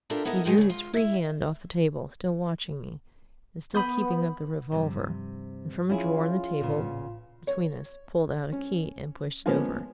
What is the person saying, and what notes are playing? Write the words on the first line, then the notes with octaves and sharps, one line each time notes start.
He drew his free hand off the table, still watching me, and still keeping up the revolver, and from a drawer in the table between us pulled out a key and pushed it over.
D4 E4 F4 G4 A4 A#4
B3 E4 A4 A#4 D#5
A2 D#3 G#3 G5 G#5
C#3 G#4
F4
E4 E5
B3 B5 D#6 G6
G2 C3 F3
F3 C#4 E4 F4 G#4
A1 A#2 C#3 B3
C#5
C#4
F3 G#3 A#3 B3 C#4